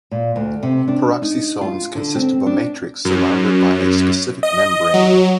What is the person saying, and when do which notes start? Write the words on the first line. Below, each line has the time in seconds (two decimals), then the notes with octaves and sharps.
Peroxisomes consist of a matrix surrounded by a specific membrane.
0.11 A#2
0.36 D2
0.63 C3
0.88 D4
1.22 D#4
1.61 F4
1.95 D3
2.15 C4
2.46 D4
3.05 F#2
4.43 D#5
4.94 F#3